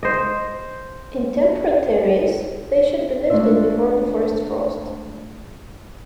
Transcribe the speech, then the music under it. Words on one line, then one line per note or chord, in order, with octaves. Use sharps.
In temperate areas, they should be lifted before the first frost.
C5 D#5
G#3 A3 D4 F4 C5 E5